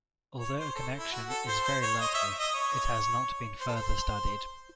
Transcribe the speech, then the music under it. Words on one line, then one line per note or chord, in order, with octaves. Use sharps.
Although a connection is very likely, it has not been further studied.
C#5
C5
A4
E4
F#4
A4
C5
C5
C#5
D#5
E5
D#5
C#5
C5
A4
C5